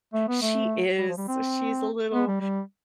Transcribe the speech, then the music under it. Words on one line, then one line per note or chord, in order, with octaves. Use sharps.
she is she's a little
A3
B3
A3
G3
F3
G3
C4
B3
G3
G3